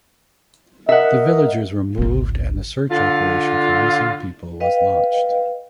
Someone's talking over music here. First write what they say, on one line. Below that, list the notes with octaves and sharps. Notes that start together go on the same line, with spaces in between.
The villagers were moved and the search operation for missing people was launched.
A#4 D#5 E5 F#5
G#1 C#2
D3 F4
B4 D#5 F5 G5